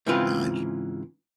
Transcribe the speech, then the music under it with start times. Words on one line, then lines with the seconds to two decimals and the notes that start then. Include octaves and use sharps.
I j
0.06 G#2 C#3 E3 C4 F4 B4